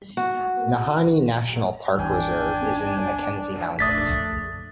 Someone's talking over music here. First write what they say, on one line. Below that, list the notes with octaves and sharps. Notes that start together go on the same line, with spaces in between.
Nahanni National Park Reserve is in the Mackenzie Mountains.
F#4
G#1 E2 D4 G5 G#5
F1 A#1 A3 D4 D#6 A6 B6